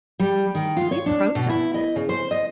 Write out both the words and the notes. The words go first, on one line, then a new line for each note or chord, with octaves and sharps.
we protested,
G3
D#3
F4
C#5
D4
B2
E4
D#5
C#3
C5
D#5